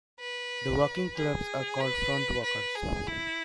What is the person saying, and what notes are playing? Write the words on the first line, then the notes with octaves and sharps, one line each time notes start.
The walking clubs are called Frontwalkers.
B4
G#4
B4
B4
G#4
E4